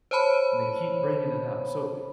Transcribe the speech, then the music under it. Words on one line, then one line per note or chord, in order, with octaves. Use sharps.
and they keep bringing it up. So,
C5 C#5 A5 B5